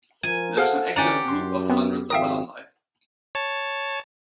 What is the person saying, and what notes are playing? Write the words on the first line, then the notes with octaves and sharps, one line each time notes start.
There is an active group of hundreds of alumni.
F3 A#4 G#5
G#4 A4 C5 F5 F#5 F6
D3 E3 C#4 G4 D5 F#5 G#5 A#5
F#2 C6
B3 C4
G#1 F2 A#4 E5 F5 G5 D#6
C#5 A5